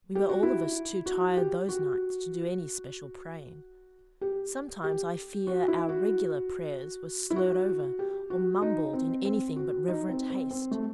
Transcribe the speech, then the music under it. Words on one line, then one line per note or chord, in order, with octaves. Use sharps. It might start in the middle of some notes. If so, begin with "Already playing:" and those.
We were all of us too tired those nights to do any special praying. Sometimes I fear our "regular" prayers were slurred over, or mumbled in anything but reverent haste.
G4
F#4
E4
F#4
G4
F#4
G4
G4
F#4
E4
F#4
E4
F#4
G4
F#4
D#4
C4
C4
F#4
D#4
C4
C4
C4
A3